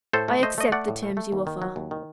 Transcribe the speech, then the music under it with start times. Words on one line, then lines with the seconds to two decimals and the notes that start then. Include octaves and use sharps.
I accept the terms you offer.
0.13 A2 A4 C5
0.28 A3
0.43 A3 C5 D#5
0.58 A3 D#5
0.72 A3 D5 F#5
0.88 A2
1.03 A3
1.17 A3
1.32 D#2
1.47 D#3
1.62 F#3
1.76 D#2
1.91 D#3